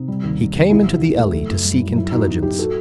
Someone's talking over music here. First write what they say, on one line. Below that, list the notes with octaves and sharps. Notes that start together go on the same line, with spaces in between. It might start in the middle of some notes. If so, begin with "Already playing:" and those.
He came into the alley to seek intelligence.
Already playing: C3 D#4
G3
D#2
D#3
D#2
C2 E4
C2
D#3
A3
F#1
F#2
G3
F#2
F#3 E4
A2 D#4 F#4
B3 D#4 F#4
F#3 E4 G4
F#4 A4